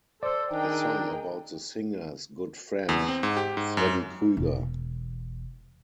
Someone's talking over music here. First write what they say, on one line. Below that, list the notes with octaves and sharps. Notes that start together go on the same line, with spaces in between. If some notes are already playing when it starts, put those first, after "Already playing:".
A song about the singers "good friend" Freddy Krueger.
A4 C5 D5 E6
D#3 D4 G#4 A#4 G5
E2
C4
G#2
G4
G#2
F#2
E1